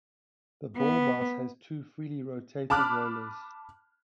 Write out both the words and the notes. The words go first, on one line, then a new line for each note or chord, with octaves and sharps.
The ball mouse has two freely rotating rollers.
B3
A5 B5 D6 F6 F#6